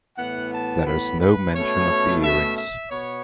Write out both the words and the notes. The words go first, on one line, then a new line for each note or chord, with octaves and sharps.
There is no mention of the earrings.
A2 E3 B3 F#5
A5
B5
B4
B2 A3 C#4 C#5
E5
E5
B2 B3 C#5